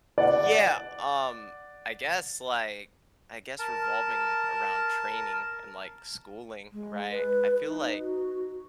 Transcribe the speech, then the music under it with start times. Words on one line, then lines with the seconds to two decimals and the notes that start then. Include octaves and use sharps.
Yeah, um, I guess, like, I guess revolving around training, and, like, schooling, right? I feel like
0.18 D5 F#5
3.59 A#4 A5
6.73 G#3
7.11 B4
7.63 D#4
7.99 F#4